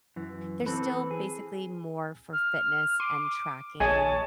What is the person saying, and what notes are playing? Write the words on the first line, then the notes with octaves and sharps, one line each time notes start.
they're still basically more for fitness and tracking.
F#2 E3
E3 C4 A4 B4
G#4
F6
C6 D6 D#7
A#1 G#4 C#5 D#5 G#5 A5